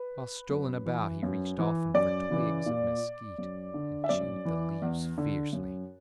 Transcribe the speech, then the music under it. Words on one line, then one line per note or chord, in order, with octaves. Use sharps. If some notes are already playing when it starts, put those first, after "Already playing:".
While strolling about he reached often for twigs of mesquite and chewed the leaves fiercely.
Already playing: B4
F#2
E3
F#2
E3
F#2 D5
C#3 E3
A#2
F#2
D3
E5
F#2 D5
E3
E2
D3
F#2